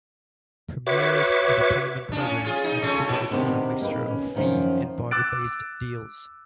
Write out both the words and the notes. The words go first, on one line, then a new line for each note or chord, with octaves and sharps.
Premiere's entertainment programs are distributed on a mixture of fee and barter based deals.
F#4 B4 C#5 E5 D6
A2 D4
C#4
F4 G#4
D#4
A3 C#4 F4
A#2 E4 G4
C3 D#3 B3 D4 G4
A#3 D#4 G4 B4
C#4
F#2 D#3 F3 C#4
D6 E6 F#6 A6 D7